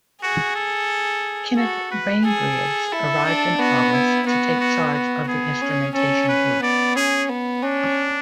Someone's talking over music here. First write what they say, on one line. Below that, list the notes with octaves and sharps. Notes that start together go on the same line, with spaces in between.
Kenneth Bainbridge arrived in August to take charge of the Instrumentation Group.
F#4 G#4
A4
F#4 A4
B4
G#4 A4
E4 A4
D4
B3 F#4
E4
B3 F#4
F#4
F#4
B3 G#4
C#4
C#4 A4
B4
B3 D5
C#4 G#4
B3
C#4 D4